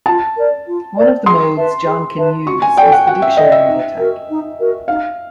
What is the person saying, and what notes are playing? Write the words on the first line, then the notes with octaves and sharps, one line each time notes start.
One of the modes John can use is the dictionary attack.
F4 A5
A#4 D5
F4
A#4 D5
G#4 C6
B4 E5 A5
G#4
B4 E5 A5
F#4 C#6
G#5
A4 D5 G5
F#5
F#4 F#5
E5
A4 D5 D#5
E5
D#4
F#4 A#4
D#4
F#4 A#4
D#4 F5